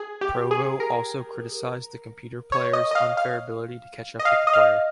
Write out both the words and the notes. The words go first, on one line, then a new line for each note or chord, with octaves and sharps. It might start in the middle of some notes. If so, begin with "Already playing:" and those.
Provo also criticized the computer player's unfair ability to catch up with the player.
Already playing: G#4
G4
G#4
A#4
C#5
D#5
D#5
F5
F5
D#5
F5
D#5
F5